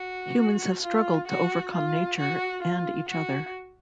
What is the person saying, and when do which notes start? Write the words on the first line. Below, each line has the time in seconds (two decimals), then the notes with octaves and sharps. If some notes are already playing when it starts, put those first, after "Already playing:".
Humans have struggled to overcome nature and each other.
Already playing: F#4
0.82 F4
1.28 F#4
1.73 F4
2.18 F#4
2.63 F4
3.09 F#4